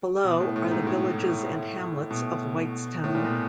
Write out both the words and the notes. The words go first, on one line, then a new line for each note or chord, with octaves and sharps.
Below are the villages and hamlets of Whitestown.
B2
A2
A2
G#2
A2
B2
A2
A#2
B2